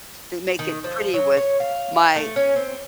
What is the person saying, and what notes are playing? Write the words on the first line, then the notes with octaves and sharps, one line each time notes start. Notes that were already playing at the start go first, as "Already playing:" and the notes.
then make it pretty with my
D#3
F3
F#3
C#5
F5
A3
C#4
C4